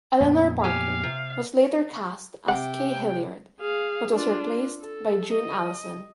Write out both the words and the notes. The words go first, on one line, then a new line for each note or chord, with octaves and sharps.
Eleanor Parker was later cast as Kay Hilliard but was replaced by June Allyson.
F2 A#2 B3
G4 C#5 F5 G#5
C3
C3 F#5 G5 D6
G#4 F5
D4 F4
A4
D#5